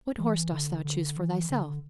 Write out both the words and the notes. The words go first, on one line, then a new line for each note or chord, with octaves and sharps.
"What horse dost thou choose for thyself?"
E3
D3
D3
E3
D3